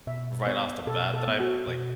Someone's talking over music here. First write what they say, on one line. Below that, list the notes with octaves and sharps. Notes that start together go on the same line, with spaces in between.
right off the bat that I've, like,
B2 E5
B3 C#5
B2 A4
A4
B3
F#4
B2